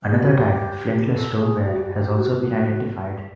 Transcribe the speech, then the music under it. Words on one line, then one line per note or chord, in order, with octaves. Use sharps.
Another type, Flintless Stoneware, has also been identified.
G#4
G4
F#4
G4
A4
G#4
G4
F#4
G4
G4
G4
F#4